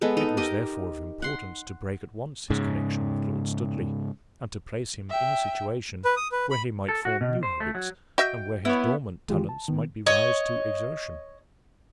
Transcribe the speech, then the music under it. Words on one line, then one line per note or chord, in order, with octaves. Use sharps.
It was therefore of importance to break at once his connexion with Lord Studley, and to place him in a situation where he might form new habits, and where his dormant talents might be roused to exertion.
G#3 B3 A4 B4
D#4 A4
G4 A#4 D#5
F#5 C6
G#2 C#3
E5 G5
B4
D#6
B4
B5
A4
F#4
B2
C5
A3
F#3
F#4 D#5 E5 G5
B3 E4 C#5
D#3 E3 G#3 F4 G4
A5
D#3 B3
C#5 D#5